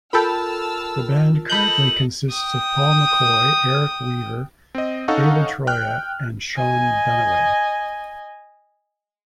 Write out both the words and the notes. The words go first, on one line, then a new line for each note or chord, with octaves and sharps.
The band currently consists of Paul McCoy, Eric Weaver, David Troia and Sean Dunaway.
F4 A4 A#4 G5 A5 B5 E6 F6
A4 D#5 B5 G6 F#7
G5 D#6
C4 D#5
C#4 D#4 A4 F5 F#5 C#6
G5 F6 F#6
D#5 G#5